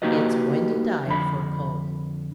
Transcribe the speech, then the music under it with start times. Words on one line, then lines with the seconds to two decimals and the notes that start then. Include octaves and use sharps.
It's windy diet for a colt.'
0.02 A#3 D#4 F#4 G4 B4 D#5
1.07 F2 D3 B5